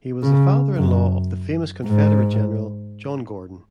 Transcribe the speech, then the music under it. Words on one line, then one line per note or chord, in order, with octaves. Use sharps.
He was the father-in-law of the famous Confederate General John Gordon.
C#3
F#2
G#2